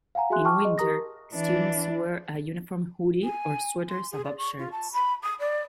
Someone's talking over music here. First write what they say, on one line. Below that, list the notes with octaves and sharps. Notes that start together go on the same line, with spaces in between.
In winter students wear a uniform hoodie or sweaters above shirts.
F5 F#5 G#5 A#5
F#4 G#4 E5 G#5 C6 F#6
G5 A5 C#6 D6 F6
G#4 D#5
G4 A#4 A#5 D#6 A#6
E3 D4
G#5
C6
G#4
D5
C#6
F4
A5
B5
D#6
D5